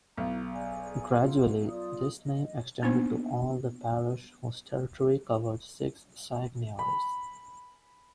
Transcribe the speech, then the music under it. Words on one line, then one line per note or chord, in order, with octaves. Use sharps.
Gradually, this name extended to all the parish whose territory covered six seigniories.
B1 E4 A#5
G#4 D5 G#5
F4 F#5
F4 D5 D#6
D#5
A#3 B3 D4 D#4 C5
B5